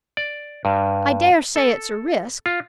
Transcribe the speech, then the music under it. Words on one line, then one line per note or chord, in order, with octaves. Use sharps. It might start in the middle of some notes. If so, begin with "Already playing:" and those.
I dare say it's a risk.
D5
G2
A4
F4